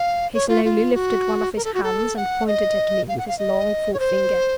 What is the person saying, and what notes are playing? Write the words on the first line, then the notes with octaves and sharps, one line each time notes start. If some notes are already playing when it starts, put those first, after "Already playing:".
He slowly lifted one of his hands, and pointed at me with his long forefinger.
Already playing: F5
C#5
F4
F4
F#4
A#4
A4
F#4
A4
F#5
D#5
F5
F#5
F5
D#5
C#5
C5